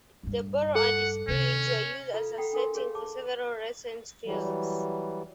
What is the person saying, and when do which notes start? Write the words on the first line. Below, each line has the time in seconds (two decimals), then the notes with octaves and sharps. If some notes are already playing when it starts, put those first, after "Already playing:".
The borough and its bridge were used as a setting for several recent films.
0.23 A#1 G2
0.75 A4 F#5
1.28 C3 D#3 C#4
2.14 F4 A4 F5 A#5
2.37 A4 F#5 G5 A#5 B5
2.53 D4 A4 A#4 C6
2.75 G#4 A#4 C#5 F5
2.95 G#4 A5 D6
4.25 E3 F#3 G3